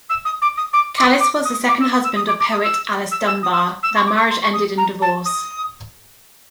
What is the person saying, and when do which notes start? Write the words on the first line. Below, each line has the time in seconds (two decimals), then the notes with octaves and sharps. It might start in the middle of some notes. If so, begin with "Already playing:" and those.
Callis was the second husband of poet Alice Dunbar; their marriage ended in divorce.
0.09 E6
0.25 D#6
0.41 D6
0.57 D#6
0.73 D6
0.97 D6
1.20 D6
1.45 D#6
1.68 D6
1.80 E6
1.92 D#6
2.04 E6
2.16 D#6
2.27 D6
2.39 D6
2.52 D#6
2.63 E6
3.11 E6
3.26 E6
3.42 D#6
3.51 E6
3.59 D#6
3.82 E6
3.95 C#6
4.06 D6
4.18 C#6
4.30 C6
4.42 C#6
4.53 D#6
4.77 A#5
5.01 A5
5.25 D#6